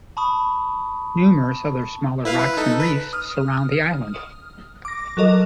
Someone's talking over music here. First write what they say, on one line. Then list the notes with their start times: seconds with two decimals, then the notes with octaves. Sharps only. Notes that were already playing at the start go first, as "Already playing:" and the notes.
Numerous other smaller rocks and reefs surround the island.
0.17 A5 B5 C#6 D#6
2.25 E4 B4 F5
2.38 B4
2.57 D#4 A4
2.80 B4
3.13 D#6 F6
4.85 D6 A#6
5.17 F#3 A4 A#4 D#5